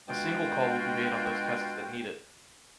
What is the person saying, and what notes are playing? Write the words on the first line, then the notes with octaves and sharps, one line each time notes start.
A single call will be made on those tests that need it.
B2 G#3 D4 F4 F#4 G5